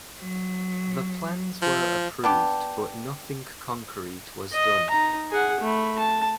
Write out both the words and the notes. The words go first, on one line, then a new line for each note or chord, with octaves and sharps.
The plans were approved but nothing concrete was done.
F#3
F3
B3 D4 G4
D#5
D#4 A#5
G#4 F#5
A3 B5
A5